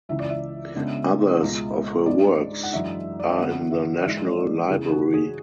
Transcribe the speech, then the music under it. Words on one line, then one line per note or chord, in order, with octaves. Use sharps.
Others of her works are in the National Library.
C#2 C#3 E3 E5
D5
E5
C#3 G#3 B3 D4
C#2 B2 G#3
G#2 G#3 D4 D5
F#5
F#2 E3 G#3 D4 E5
D5
E5
F#2 D3 F#3 B3 F#5
F#5
E5
D5
G#2 E3 G#3 E5
C#5
D5
E2 C#3 E3 G#4
F#4
G#4